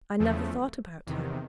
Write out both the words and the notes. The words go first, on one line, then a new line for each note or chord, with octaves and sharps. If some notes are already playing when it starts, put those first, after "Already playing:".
'I never thought about her.
E2 C#3 F3 A3
E2 C3 D#3